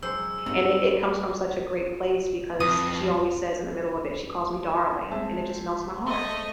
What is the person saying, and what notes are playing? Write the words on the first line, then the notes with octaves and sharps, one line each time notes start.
and i it comes from such a great place because she always says in the middle of it, she calls me "darling," and it just melts my heart
F#2 G#3 G4 C5 E6
G2 D#3 F#3 G#3 C4 A#4
F2 D#6
G#3 C4 C5 E5 A5
A3 D#5